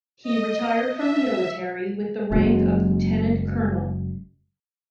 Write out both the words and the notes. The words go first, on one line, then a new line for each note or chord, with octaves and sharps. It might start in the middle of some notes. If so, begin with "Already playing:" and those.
He retired from the military with the rank of lieutenant colonel.
D#5
E5
F#1 F#2 F#3 G#3